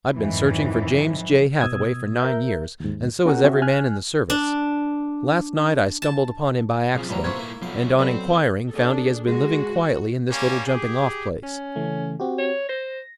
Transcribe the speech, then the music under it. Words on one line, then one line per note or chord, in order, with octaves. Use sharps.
I've been searching for James J. Hathaway for nine years, and so has every man in the service. Last night I stumbled upon him by accident, and on inquiring found he has been living quietly in this little jumping-off place.
F2 G#2 D#3 E3 F#3
B2 D#6 E6 G#6
A#4 E5 G6
D#2 G#2
B3 C#4 F#4 G#4 A#4 F#5
C4 C#4 F#4 E5
G#5 F6 F#6
D4
A5
B1 F3 C4 G#4 F5
A1 E3 F#3 G3 B4 A5 A#5
A#2 A3 C4 F4 F#4 C#6 G#6
A#3 E4
B1 F3 F#3 A3 B3 F5
B2 F#3 C4 A4 B4 D5
D4 G#4 A4
G#3 F#4
G3 A#3 C#4
G4 G#4
C#4
C#3 E3 A3
C4 F#4 G4
C#5
C5 A#6